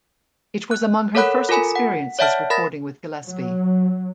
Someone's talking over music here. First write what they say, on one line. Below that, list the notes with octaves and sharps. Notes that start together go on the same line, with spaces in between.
It was among her first experiences recording with Gillespie.
F#6
A4 A#4 C#5 F#5 B5 F#6
F4 A4 A#4 G#5 B5
F#5
C#5 D5 E5 F#5 A5 F6
A#4 B5 A6 A#6
F#3